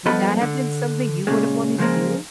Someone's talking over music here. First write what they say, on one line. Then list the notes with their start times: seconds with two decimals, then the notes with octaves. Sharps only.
Would that have been something you would have wanted to do?
0.06 G2 F3 B3 A4 D#5 B5
0.41 D3
1.27 A#2 C#3 G#3
1.78 C#3 F3 G#3 A#3 C4